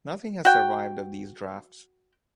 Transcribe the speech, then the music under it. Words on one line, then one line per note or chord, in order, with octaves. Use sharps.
Nothing has survived of these drafts.
F#4 G5